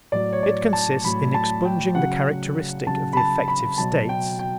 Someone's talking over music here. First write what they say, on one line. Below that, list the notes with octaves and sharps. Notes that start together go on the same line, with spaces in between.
It consists in expunging the characteristic of the affective states.
A2 F#3 D5
C#5
D5
A5
A2 F#3 B5
A5
G5
C#3 F#3 F#5
C#3 F#3 A5
B5
A5
B5
B2 F#3 A5
G5
G5